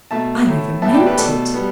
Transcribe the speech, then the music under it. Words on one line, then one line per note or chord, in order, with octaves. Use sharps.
I never meant it!
B2 A3 E5 A5
A2 A3
A2 E3 B3 E5 A5
D5 G5
G4 B4
B2 A3 A4 D5
G3 B3